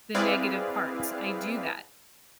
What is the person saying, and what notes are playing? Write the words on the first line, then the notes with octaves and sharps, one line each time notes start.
the negative parts, I do that.
C4 E4 G#4 B4 D5 F5